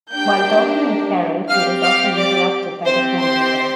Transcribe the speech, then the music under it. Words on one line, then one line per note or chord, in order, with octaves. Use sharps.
While talking with Carol, he is often interrupted by the phone ringing.
A#3 D4 G4 G5 G6
C4 G4 F5 F6
F5 F6
D5 D6
C4 G4 C5 C6
C5 C6